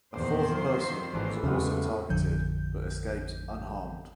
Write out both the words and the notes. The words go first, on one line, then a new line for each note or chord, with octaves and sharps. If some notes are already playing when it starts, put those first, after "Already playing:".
A fourth person was also targeted but escaped unharmed.
E2 A#2 D#3 C5 D5
F#3 F4
G#1 E3 A4 B4 D5
E2 C#3 F#3 G#3 A3 B3 C#4 F4
A1 F2 D3 F3 G6